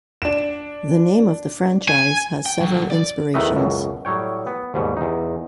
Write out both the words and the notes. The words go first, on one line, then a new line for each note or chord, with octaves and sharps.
The name of the franchise has several inspirations.
D4 E7
G#5
G5
D3 F#3
D5
E2 D#3 E3 A3 B4 D#5
C#2 F#2 B2
A2 F#3 G3 C#5 G5
B3
D#2 G#2 B2 G3
E2 D#4